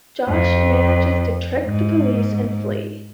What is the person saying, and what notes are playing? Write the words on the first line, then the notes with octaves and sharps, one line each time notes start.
Josh manages to trick the police and flee.
F2
G#2